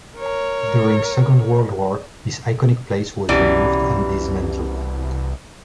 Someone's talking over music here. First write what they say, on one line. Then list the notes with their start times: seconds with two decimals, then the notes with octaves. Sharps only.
During Second World War, this iconic place was removed and dismantled.
0.18 A#4 C#5
3.29 C2 B2 E3 C#4 G4 D5 A#5